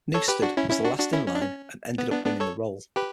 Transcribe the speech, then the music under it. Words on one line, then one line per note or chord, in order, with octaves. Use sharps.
Newsted was the last in line and ended up winning the role.
A4 C#5
G4 B4
D4 F#4
C#4 E4
C#4 E4
D4 F#4
D4 F#4
C#4 E4
C#4
D4
C#4
B3
B3 D4
B3 D4
A4 C#5
G4 B4